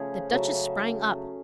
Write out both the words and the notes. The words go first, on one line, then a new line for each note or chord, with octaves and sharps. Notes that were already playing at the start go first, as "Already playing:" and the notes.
The Duchess sprang up.
Already playing: C#3 F3 A3 C#4 G#4
C#3 F#3 A3